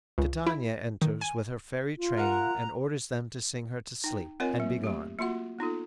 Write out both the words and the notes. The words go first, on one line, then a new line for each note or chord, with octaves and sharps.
Titania enters with her fairy train and orders them to sing her to sleep, and be gone.
C#2
E4
D#3
G#5
F4
A#4 F#5 A#5
D#4 G5
C4 F4 A#4 C#5 D#5 G#5
F#3 A#3
A3 G4
A#3 F4 F#4 F#5
B3 D#4 F4 A4